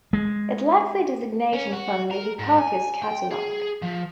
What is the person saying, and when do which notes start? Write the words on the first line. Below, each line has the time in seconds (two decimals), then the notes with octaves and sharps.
It lacks a designation from the Hipparcos catalogue.
0.13 G#3
1.53 C#4
1.72 F#4
2.11 A#4
2.39 G#2
2.59 G#5
3.02 G5
3.31 G#4
3.82 F3